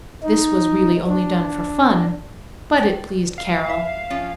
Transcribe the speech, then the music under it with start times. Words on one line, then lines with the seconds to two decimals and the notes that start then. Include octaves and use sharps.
This was really only done for fun, but it pleased Carol.
0.24 D#4
1.07 D4
2.78 D5 G5
3.38 F5
3.70 E5
4.10 F3 C#4 F4